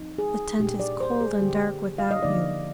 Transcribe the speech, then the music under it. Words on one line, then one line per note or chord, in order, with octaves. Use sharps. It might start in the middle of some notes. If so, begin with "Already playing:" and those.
The tent is cold and dark without you....
Already playing: F3 C4 D#4
G#4
A#2 G3 D4 G4
D5
C5
G#4
D3 G3 A#3 G4
F5
D#5
D3 F3 A#3 D#4 D5